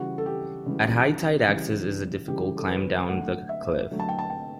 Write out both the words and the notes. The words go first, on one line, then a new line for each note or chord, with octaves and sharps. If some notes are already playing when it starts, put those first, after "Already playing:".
At high tide access is a difficult climb down the cliff.
Already playing: C#3 E3 G3 F#4
A4
G4
C#3 E3 G3
C#3 E3 G3
C#3 E3 G3 G4
A4
B4
D3 F#3 A3 F#5
E5
D3 F#3 A3
A5
G5
A5
G5